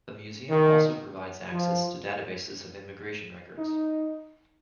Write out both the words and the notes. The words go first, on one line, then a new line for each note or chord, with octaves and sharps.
The museum also provides access to databases of immigration records.
D#3
F3
D#4